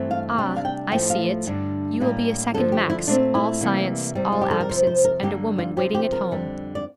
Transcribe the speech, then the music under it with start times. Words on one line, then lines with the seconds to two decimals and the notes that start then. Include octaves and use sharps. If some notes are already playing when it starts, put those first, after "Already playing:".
'Ah, I see it: you will be a second Max--all science, all absence, and a woman waiting at home!
Already playing: G2 E3 A3 C4
0.11 F5
0.37 C3 G3 D4 G5
0.56 F5
0.65 G5
0.91 A2 F3 A3 G5
1.10 F5
1.46 G2 D3 G3 D4
2.00 A2 G3 A#3
2.54 G2 D3 F3 A4
2.72 G4
2.90 E4
3.08 A#2 A3 C4 D4
3.35 E4
3.61 C3 E3 G3 A#3
4.15 C3 G3 C4
4.32 F4
4.42 G4
4.51 A4
4.61 A#4
4.69 F2 C3 F3 C5
4.87 C5
5.05 A#4
5.23 G2 D3 G3 A#3 D4 G4
5.58 F4
5.77 C3 F3 C4 G4
5.95 G4
6.12 A#4
6.31 F2 D3 G3 D4
6.75 D5